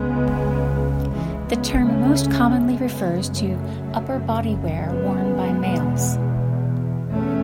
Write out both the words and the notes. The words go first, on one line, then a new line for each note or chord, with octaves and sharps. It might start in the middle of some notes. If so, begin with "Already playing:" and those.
The term most commonly refers to upper-body wear worn by males.
Already playing: C#2 C#3 G#3 B3
C#2 C#3 E3 G#3
G#3 B3
A3 C#4
F#2 C#3 G#3 B3
F#3 A3
F#2 C#3
G#3 B3
E2 B2
E2 A3 C#4